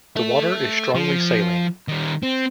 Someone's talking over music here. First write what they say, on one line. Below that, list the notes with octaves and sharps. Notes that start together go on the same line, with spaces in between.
The water is strongly saline.
A4 E5
F3
D#3 G3
C4